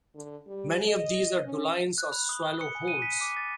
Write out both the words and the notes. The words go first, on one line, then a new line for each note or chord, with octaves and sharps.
Many of these are dolines or swallow holes.
D3
G3
D#5
C#4
F#6
B5
D#6
G7
C#7
G#5
D#7
B6
D6
A6